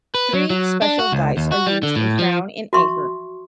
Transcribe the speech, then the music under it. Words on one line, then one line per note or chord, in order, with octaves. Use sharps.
Three special dice are used in Crown and Anchor.
B4
F#3
F#3
D4
F#4
C#2
D#2
F#4
G3
D3
A2
F3
F#4 E5 C6 C#6